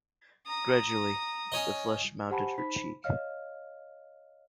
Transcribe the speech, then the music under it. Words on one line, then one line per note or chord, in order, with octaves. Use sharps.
Gradually the flush mounted her cheek.
A#5 D#6
C#4 C#5 D#5
G4 C5 F#5 G#5 A5 B5
D#4 C5 B5 B6
C#5 D#5 F5 F6